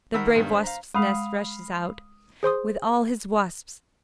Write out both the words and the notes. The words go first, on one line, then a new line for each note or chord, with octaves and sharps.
'The brave Wasp's-nest rushes out with all his wasps.
D#3 A#4 F#5 B5 E6 B6
G2 B3
D4 C5
F5 A#5
G#3 F5 B5 D#6
G#4 C5 C6 D#6